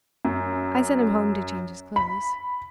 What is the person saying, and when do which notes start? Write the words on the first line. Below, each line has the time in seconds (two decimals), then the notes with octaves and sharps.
I sent him home to change his clothes...
0.25 F#2
1.96 B5